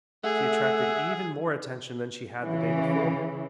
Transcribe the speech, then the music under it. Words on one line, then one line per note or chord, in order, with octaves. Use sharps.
She attracted even more attention than she had the day before.
A3 G#4 E5 F#5
C#3 E3